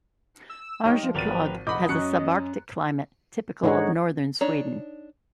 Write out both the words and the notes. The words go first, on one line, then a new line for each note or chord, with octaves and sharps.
Arjeplog has a subarctic climate typical of northern Sweden.
E6
G3 D#4 G4 C#5 F6
F3
G#1 G4 A#4 B4 A6 D#7
E1 D#5 F#5 B5 D6 G6
F#2 C#4 C#6 F#6 C#7
G#2 D3 G#3 D#4 C#5 F#5
D4 D#4 C#5